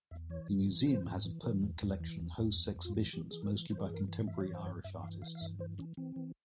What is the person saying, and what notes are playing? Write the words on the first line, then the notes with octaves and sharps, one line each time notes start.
The museum has a permanent collection and hosts exhibitions, mostly by contemporary Irish artists.
E2 E5
E3 C#5
G#2
E3
E3 C5
G#2
E3
E3 A#4
E2
E2
E3
E2
E2
F2
F2
F4
E3
E3 G4
E3 G#4
A#4
E3
E3 C5
A#4
G#4
G2 A#4
E3
E3 E5
C#5
G2
C5
G2 C#5
G2 E5
E3 F5
E3 F5
F5
G2 E5
E3 C5
E3 C#4
E3 C4
E3